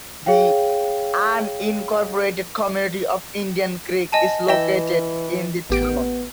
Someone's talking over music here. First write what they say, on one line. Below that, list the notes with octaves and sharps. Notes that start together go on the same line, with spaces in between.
The unincorporated community of Indian Creek is located in the town.
G#4 C#5 F5 G5
D#5 G#5 A5
E3 D#5 E5 G5 E7
A1 B3 G4 D7